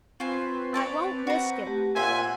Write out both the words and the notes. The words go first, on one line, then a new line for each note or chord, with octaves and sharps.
I won't risk it!
C4 F4 B4 C5 G#5 C#6
C#5 D5 A5
F#4 A#5
A3 G4
A#2 C5 E5 F#5 G#5 F#6